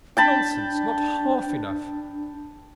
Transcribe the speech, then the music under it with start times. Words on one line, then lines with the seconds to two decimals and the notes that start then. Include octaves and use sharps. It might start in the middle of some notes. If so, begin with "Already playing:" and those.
'Nonsense! not half enough.'
0.17 D4 G5 A5 B5